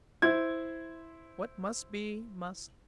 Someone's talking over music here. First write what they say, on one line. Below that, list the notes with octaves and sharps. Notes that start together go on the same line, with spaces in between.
What must be, must....
E4 C5 G#6